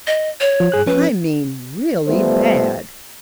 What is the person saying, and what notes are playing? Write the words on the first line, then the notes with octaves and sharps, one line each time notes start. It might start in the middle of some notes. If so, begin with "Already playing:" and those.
I mean really bad.
D#5
C#5
F3
G2 G#4 F#6
F3 C#4 B4
F3 G3 A3 B3 C5